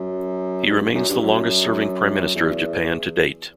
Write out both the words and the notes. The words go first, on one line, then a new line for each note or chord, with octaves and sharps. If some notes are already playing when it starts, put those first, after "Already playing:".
He remains the longest-serving Prime Minister of Japan to date.
Already playing: F#2
G2
F#2
G2
F#2
E2